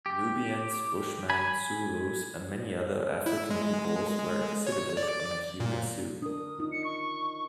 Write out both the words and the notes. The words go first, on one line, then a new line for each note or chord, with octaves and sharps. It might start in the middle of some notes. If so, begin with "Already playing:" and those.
Nubians, Bushmen, Zulus and many other African peoples were "exhibited" in a human zoo.
G4
G#5 B5
E4
G#3
C#5
D5
A#2
D4 A#4 D#6
D#4 F4
C#7
C#6